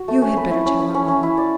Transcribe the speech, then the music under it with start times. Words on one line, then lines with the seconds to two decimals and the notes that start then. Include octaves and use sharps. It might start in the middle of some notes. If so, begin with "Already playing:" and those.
"You had better tell her, mamma."
Already playing: F#4
0.08 A3
0.22 C#4
0.37 B4
0.51 E4
0.66 C#4
0.80 C#4
0.94 C#4
1.08 C#4
1.23 E4
1.38 D5